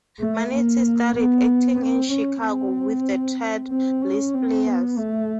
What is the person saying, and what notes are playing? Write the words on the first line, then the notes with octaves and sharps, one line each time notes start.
Manetti studied acting in Chicago with the Ted List Players.
A3
A#3
B3
C4
C#4
C4
C4
C#4
C4
B3
A3